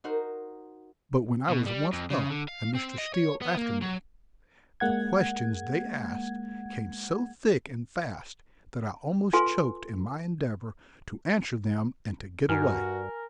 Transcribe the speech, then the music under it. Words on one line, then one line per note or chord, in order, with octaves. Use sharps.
But when I was once up and Mr. Steele after me, the questions they asked came so thick and fast that I almost choked in my endeavor to answer them and to get away.
D#4 F#4 A#4 C5
B2
G3
F2
C#3
D3
F5
C4
D#5
C#5
B3
A#3
F#3
G#3 A#3 F#5 G#6
F4 A4 B4 G#5 C6
G2 F#4 A#4 G#5 F6